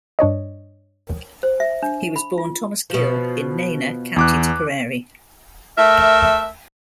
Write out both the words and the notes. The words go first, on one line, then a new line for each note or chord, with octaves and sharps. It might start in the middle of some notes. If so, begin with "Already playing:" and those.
He was born Thomas Gill in Nenagh, County Tipperary.
G2 D4 C#5 D#5
C5
E5
D4
B5
F4
B2 F3
E2 D6 F#6
A3 A#4 E5